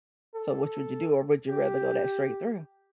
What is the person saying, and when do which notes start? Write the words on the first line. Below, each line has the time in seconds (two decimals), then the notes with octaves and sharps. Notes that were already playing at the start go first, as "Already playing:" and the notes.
So, which would you do, or would you rather go that straight through?
0.35 A4
1.50 G4